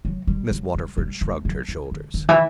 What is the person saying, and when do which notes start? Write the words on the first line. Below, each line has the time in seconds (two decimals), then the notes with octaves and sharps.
Miss Waterford shrugged her shoulders.
0.05 F#3
0.27 G3
0.51 F#3
0.75 G3
0.97 G3
1.21 A3
1.45 F#3
1.68 E3
1.91 D3
2.14 D3
2.29 E3